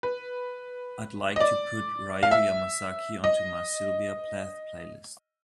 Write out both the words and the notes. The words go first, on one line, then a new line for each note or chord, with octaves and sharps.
I'd like to put Ryō Yamazaki onto my sylvia plath playlist.
B4
D#5
D5
F5
E5
D#5